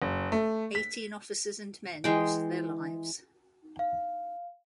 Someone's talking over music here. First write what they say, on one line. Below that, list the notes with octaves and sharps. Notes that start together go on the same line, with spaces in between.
Eighteen officers and men lost their lives.
F#1
A3
B6
E3 G#3 G5
F5